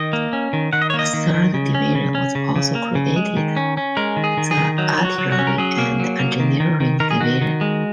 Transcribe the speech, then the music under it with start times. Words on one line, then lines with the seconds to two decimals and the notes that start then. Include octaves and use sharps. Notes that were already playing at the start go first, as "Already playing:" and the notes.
A third division was also created: the artillery and engineering division.
Already playing: D#3 D#5
0.13 A#3
0.33 C#4
0.53 D#3
0.73 D#3 F#5
0.82 D#5
0.90 C#5
0.94 A#3
0.99 D#5
1.14 D#3
1.34 D#3
1.54 C#3
1.75 C#4
1.95 C#3
2.15 C#4
2.35 C#3
2.56 C#3
2.75 A#3
2.95 C#3
3.16 G#3
3.37 D#3
3.57 C#4
3.77 C#4
3.97 G#3 A#4
4.17 D#3
4.24 G#4
4.37 D#3
4.51 G#4
4.57 D#3
4.78 F#3 D#4
4.98 F#3
5.05 F#4
5.18 F#3
5.32 F#4
5.39 C#4
5.47 A#4
5.58 F#3 G#4
5.78 A#3
6.00 F#3
6.19 A#3
6.40 D#3
6.60 D#3
6.80 D#3
7.00 D#3 A#4
7.11 G#4
7.20 D#3 F#4
7.42 D#3
7.61 G#3